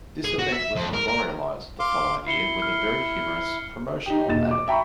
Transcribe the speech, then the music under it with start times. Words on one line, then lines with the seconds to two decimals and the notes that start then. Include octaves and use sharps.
This event was memorialized the following year with a very humorous promotional ad.
0.25 G#4
0.39 F#4
0.52 E5
0.76 F2
0.94 A#4
1.08 A#4
1.79 F5 C6 D6
2.27 E4 C7 C#7 G7
2.62 F6
4.06 D#4 G4
4.28 E1 A#2 D#5 A6 E7
4.51 D6
4.68 E5 G5 A#5 B5 C#6